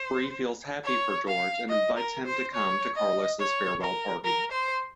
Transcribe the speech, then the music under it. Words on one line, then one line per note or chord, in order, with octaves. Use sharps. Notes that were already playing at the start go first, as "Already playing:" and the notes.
Bree feels happy for George and invites him to come to Carlos's farewell party.
Already playing: C5
C#5
F5
D#5
A#4
C5
C#5
D#5
C#5
A#4
A#4
C5